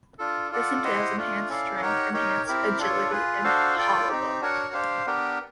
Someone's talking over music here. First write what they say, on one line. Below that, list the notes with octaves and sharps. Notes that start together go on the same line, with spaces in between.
This entails enhanced strength, enhanced agility, and hollow bones.
D4 F4 A4
F4 A4 D5 F#5
E4 G4 C5 D#5 F#5
A3 D4 F4
C#4 E4 A4 D5 F5
D#4 G4 A#4 C#5 F#5
D#4 G4 A#4 C#5
C4 E4 G4 A#4
D4 F4 A4 C#5
F4 G#4 B4
D4 F#4 A4 C5 F5
F4 A4 D5 G5
C4 D#4 G4
D4 F#4 A#4 C#5 F#5
D4 G4 C5 F5
B3 D4 G4 A#4